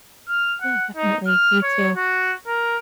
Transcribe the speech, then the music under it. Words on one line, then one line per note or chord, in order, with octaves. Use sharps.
Yeah, definitely, you too.
F6
F#5
D#4
F6
C#5
F#4
A#4